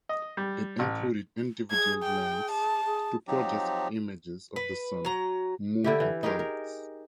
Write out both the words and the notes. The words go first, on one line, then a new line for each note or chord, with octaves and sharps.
It included individual lamps to project images of the Sun, Moon and planets.
D#5
G3
A1
G#4 G#6
G5
A5
G#4
F3 F#3 C4 D#4 G4
B4
F#3 A#5
D3 E4 G4
E3
D#4 G4 G#4 A#4
A#4